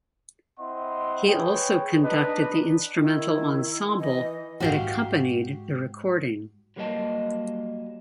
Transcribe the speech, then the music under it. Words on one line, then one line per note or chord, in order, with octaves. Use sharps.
He also conducted the instrumental ensemble that accompanied the recording.
C4 E4 D#5 F#5 C6
G#4 B4 C#5 G5
D4 D#4 B4 D#5
D#3 E4
E3 D#5
G#2 G#3 F#4 G4 F5
F#3 G3 A#3 F#4 D#5 A5